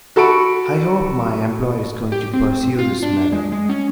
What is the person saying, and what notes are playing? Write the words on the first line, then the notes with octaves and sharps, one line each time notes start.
I hope my employer is going to pursue this matter.
F#4 A4 B5 C#6 D7
G4
C4
F4
D4
G#3
G#3
C#4